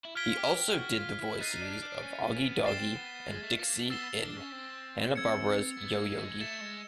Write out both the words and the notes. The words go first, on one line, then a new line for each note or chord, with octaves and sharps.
He also did the voices of Augie Doggie and Dixie in Hanna-Barbera's Yo Yogi!
E4
F4 F6 G#6 B6 D7 G7
G4
G4
F#4
F4
E4
D#4 F#6 A6 C7 D#7
D4
D4
C#4
C#4
B3
C4 A6 C7 E7 G7
B3
G#3
A3
A#3
A3
B3 E6 A6 C7 E7 G7
D4
C#4
C4
E6 G#6 C#7
B3
A#3
G#3
A3
G#3
A3 A6 C#7 E7 G7
G#3